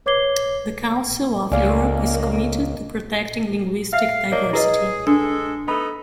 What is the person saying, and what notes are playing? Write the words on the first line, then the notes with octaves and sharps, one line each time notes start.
The Council of Europe is committed to protecting linguistic diversity.
B4 C#5 D6 G#6 C7 G7
C#2 A#3 G#4 D5 F5
E5 F5
A#3 D4 C#5 D#5
E4 G#4 B4 D#5
G#3 D4 A4
B3 D#4 A4 B5